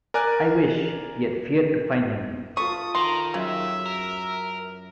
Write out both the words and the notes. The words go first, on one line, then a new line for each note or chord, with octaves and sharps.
I wished, yet feared, to find him.
A#4 D5 G#5 F#6
F4 A4 B4 C#6 D#6
D#3 A#5 C6
F#2 C#3 E5
A#4